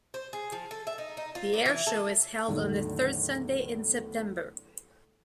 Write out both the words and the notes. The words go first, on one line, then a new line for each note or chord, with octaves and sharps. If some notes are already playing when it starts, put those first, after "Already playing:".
The air show is held on the third Sunday in September.
C5
G#4
F3
A4
E5
D#4
D#4
F4
A#2
E3
A4
E2 A2 D3 D#3 F#3 A3